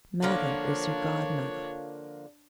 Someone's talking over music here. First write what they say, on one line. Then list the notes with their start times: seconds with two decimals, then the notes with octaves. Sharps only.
Mother is her godmothah.
0.22 D3 F3 A#3 D4 C#5